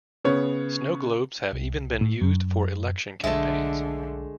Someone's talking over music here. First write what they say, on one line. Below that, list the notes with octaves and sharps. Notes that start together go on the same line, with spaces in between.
Snow globes have even been used for election campaigns.
C#3 B3 C#5
C2
A2
F#2
B1 D3 G#3 A3 E5